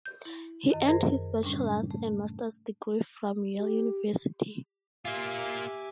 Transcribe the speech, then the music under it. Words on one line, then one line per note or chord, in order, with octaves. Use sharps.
He earned his Bachelors and master's degree from Yale University.
G6
E4
F#2 D#3 D#5
F#2 G#4 A#4 C5
A2 C#3 G3 C#4 D4
A3
G4
A#3 F4 G4 E5 G#5 D6